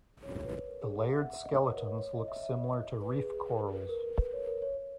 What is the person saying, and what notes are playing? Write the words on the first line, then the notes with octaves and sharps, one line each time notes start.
The layered skeletons look similar to reef corals.
C#5
C#5
B4
A#4
G#4
F#5
E5
F#5
E5
D#5
C#5
B4
A#4
C#5
C#5
D#5
E5
E5
D#5
B4
G#4
G#4
A#4
B4
A#4
A#4
B4
C#5
A#4
C#5
C#5